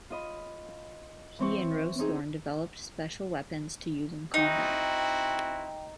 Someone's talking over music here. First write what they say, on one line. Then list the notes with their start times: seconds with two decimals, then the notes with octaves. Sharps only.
He and Rosethorn developed special weapons to use in combat.
0.10 F4 D#5 B5
1.39 E3 C4 C#6
1.98 C4 D#4 G#4
4.34 C4 D#4 E4 F#4 G5